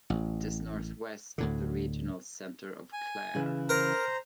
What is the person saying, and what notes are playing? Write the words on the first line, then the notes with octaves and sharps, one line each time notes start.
It is north west of the regional centre of Clare.
A1
D2 A2 D3
G#5
C#3 E3 E4
A#4 C5 A#5